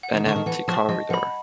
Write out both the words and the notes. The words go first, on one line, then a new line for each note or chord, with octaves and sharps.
An empty corridor.
F#5
D#3
D3 A5 C#6
D#3
E3 F#5
F3 A5 C#6
F3 D#5
F3 F#5 B5